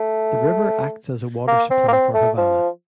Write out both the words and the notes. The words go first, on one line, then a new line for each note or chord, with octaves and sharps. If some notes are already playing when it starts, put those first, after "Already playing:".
The river acts as a water supply for Havana.
Already playing: A3
A#3
C4
A#3
C4
A3
F3